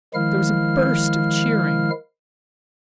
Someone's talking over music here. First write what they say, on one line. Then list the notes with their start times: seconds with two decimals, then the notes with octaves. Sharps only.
There was a burst of cheering.
0.14 D#3 F3 G#3 E4 F5 F6